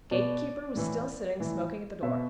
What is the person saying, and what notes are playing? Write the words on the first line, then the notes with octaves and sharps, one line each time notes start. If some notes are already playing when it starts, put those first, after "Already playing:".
The gatekeeper was still sitting smoking at the door.
B2 D5
A2 E3
A2 E3
B2 E5